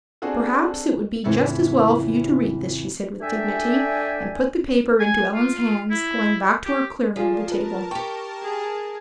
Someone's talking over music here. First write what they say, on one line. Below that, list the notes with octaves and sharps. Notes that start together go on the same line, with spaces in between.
"Perhaps it would be just as well for you to read this," she said with dignity, and put the paper into Ellen's hands, going back to her clearing of the table.
C4 D4 F#4 G#4 A4
F2 A2 C#3 E3 A3 C4
A3 D4 D5 E5 G5 G#5
G#5
F4
F4
E4
G4
F3 F4 G#4 A#4 D5 A5
B4
G4 G5 C#6
G#4